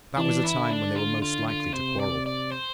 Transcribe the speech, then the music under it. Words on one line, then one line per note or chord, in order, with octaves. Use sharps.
That was the time when they were most likely to quarrel.
E3 D4
E4
D3
D4
F4
F4
F4
C3 C5
D5
D5
C5